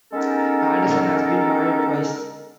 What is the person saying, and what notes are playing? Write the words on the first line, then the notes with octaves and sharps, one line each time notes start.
Anderson has been married twice.
G#3 B3 C#4 D#4 A4 A#4